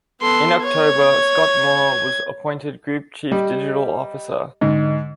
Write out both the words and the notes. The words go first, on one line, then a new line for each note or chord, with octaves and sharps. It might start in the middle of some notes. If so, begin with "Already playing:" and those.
In October, Scott Moore was appointed Group Chief Digital Officer.
B3 A4 C6
C#5 G#6
G3 D#5
G#2 D3 D#5